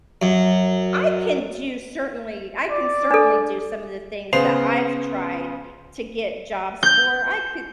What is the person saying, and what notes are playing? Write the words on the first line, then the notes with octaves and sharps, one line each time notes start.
I can do certainly I can certainly do some of the things that I've tried to get jobs for. I could"
F#2
D5
D4 A4
C#3 B3 C5 C7 F7
G6